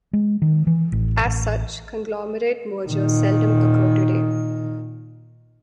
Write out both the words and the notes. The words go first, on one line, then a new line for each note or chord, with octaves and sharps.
As such, conglomerate mergers seldom occur today.
G#3
D#3
E3
A1
A1
A#2 D#3